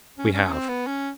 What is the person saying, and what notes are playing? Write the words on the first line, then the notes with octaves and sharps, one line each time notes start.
"We have."
C#4
C#4
C4
B3
C#4